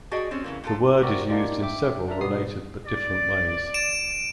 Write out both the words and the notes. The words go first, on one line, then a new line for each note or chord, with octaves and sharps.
The word is used in several related but different ways.
F#4 G#4 D5 D#5 G5
G3 C4 C#4
C#3 E3 A#3
A#2 F4 A4
F#4 G4 A#4 D5
A#3 D4 D#4 F4 G4 D5
E5 G5 D6
D4 F4 A#4 E5 A#5
B2 G3 B3 D#6 C7
D5
D7 E7